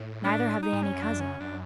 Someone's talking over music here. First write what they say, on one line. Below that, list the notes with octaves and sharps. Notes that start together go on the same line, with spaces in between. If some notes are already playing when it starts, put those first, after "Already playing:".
Neither have they any cousin.
Already playing: A2
D4
D#4
G#2
G2 C#4
F#2
D4
C#4
F#2 D4